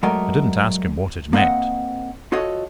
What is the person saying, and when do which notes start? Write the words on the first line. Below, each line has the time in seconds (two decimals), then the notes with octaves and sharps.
I didn't ask him what it meant.
0.03 F#3 G#3 A3 A#4 D5 D#5
1.33 A#3 C4 D#5 F#5
2.32 F4 F#4 A4 C#5 D#5